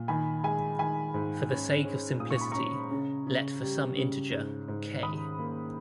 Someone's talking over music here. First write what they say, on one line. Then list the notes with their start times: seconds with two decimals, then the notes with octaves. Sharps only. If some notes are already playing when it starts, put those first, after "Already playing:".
For the sake of simplicity, let for some integer "k".
Already playing: A#2
0.08 D#3 G#5 B5
0.44 G#3 G#5 B5
0.79 D#3 G#5 B5
1.14 G#2
1.50 C#4
1.85 C#4
2.20 A#2 D#6
2.31 C#6
2.41 B5
2.52 C#4 A#5 C#6
2.91 C#3
3.27 C#3
3.62 G3
3.97 C#3
4.32 G#2
4.68 G#2
5.03 D#3 B5 D#6
5.39 A#3